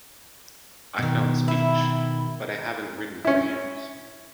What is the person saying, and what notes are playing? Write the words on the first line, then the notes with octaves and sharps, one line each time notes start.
I found speech: "But I haven't ridden for years."
B2 D#3
E4
C#4 E4